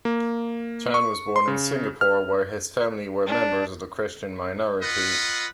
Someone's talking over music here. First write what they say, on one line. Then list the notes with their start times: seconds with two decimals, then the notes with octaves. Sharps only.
Chan was born in Singapore, where his family were members of the Christian minority.
0.05 A#3
0.94 C#6
1.36 C6
1.48 C#3
2.01 F6
3.27 D4
4.82 F4 B4 D#5 F#5 B5